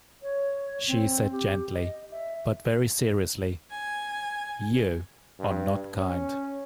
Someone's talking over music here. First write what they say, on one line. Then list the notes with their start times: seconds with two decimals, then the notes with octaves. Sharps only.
She said gently, but very seriously, "you are not kind."
0.22 C#5
0.87 C4
1.32 G4
1.74 D#5
2.11 E5
3.71 G#5
5.39 G2
5.97 C#4